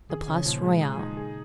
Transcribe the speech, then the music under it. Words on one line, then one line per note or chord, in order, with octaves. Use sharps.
The Place Royale.
D#3 G#4
C#3 C#4
A#2 F3
G#3
G#4
D#4
G#4